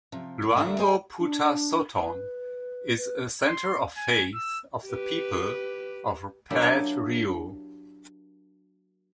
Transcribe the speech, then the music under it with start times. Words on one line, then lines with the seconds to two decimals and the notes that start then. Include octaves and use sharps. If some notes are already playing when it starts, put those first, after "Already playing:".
"Luangpho Phuttha Sothon" is a centre of faith of the people of Paet Riu.
0.12 C3 F3
0.42 A2
0.57 D3 A3 A#3 E5 F#5
0.78 G#4 C5 C#5 D#5 G5 G#5
1.19 D4
2.01 B4
2.97 B4
3.47 C6
3.97 G#5
4.34 E6
4.87 G4 B4
6.50 F#3 A#3 D4 E4 G4 E5